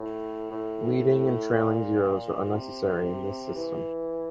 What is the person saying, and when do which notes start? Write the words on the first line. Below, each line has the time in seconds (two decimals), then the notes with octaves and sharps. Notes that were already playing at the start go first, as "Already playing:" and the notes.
Leading and trailing zeros are unnecessary in this system.
Already playing: A2
0.51 A2
1.52 A#2
2.53 C3
3.55 E3